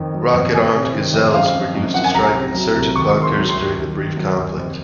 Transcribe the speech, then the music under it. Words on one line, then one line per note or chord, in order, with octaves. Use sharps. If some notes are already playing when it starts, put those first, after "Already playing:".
Rocket-armed Gazelles were used to strike insurgent bunkers during the brief conflict.
Already playing: F2 D#3
F#3
F2
F2 G#5
C3
D#3
F2
F#2 F5
F3
F#2
F3 F#5
G#5
C2 A#5
C3
F#3
C2
D#2 C#6
D#3
C6
F#3
C6
D#2
D#2
D#3
F#3
D#2
F2